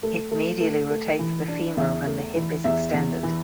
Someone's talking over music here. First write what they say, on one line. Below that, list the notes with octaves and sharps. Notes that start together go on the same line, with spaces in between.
It medially rotates the femur when the hip is extended.
A3
A3
A3
A3
E3
D4
E2 E5
A3
E3
E2 E5
E2
E3